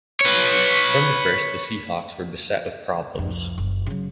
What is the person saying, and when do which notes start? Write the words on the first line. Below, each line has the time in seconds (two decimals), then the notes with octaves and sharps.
From the first, the Seahawks were beset with problems.
0.21 B4 C#5
3.15 C2 F2
3.58 F#1
3.86 C#3 F#3